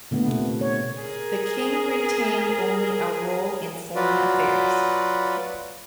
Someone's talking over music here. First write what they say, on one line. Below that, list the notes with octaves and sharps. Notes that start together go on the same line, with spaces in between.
The King retained only a role in foreign affairs.
A#2 D3 A3 B3
C3
C#5
G#4 A#4
F#3 F4 F#4 B4 D5